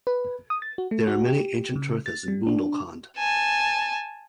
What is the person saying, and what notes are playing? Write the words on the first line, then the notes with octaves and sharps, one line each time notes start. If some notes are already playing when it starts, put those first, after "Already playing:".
There are many ancient tirthas in Bundelkhand.
B4
D#6
A6
F#4
A3
F#4
G4
C#3
A6
G3
D4
G#5 A5